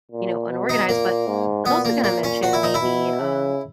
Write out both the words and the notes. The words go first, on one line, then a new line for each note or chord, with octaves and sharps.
you know, unorganized, but I was also gonna mention maybe, um,
A#2
B2
D#4
A#2 A#3
G#2
A#2 B3
A#3
A#3
C#4
F#4
E4
D#4
E4
B2
C#3